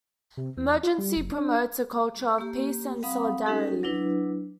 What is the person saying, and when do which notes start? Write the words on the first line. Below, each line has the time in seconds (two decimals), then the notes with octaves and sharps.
Emergency promotes a culture of peace and solidarity.
0.37 C3
0.57 E2
0.83 F4
0.98 G3
1.17 F#1
1.32 D4
2.38 A#3 G4
3.03 G3 C4 F5 F#5 B5 D#6
3.46 G3 C#4 D#4 G4 A4
3.83 F#3 D4 E4 B4